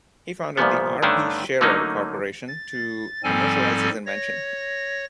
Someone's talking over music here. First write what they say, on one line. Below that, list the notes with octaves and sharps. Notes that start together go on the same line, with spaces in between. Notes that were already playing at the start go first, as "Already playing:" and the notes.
He founded the R. P. Scherer Corporation to commercialize his invention.
C2 A#2 C#3 F3 B3
G2 D3 D#3 A3 C#4 D4
D3 F#3 A3 A#3 C#4 D#4
A6
G#2 F3 G3 C4 A4 G#5
C#5 A#6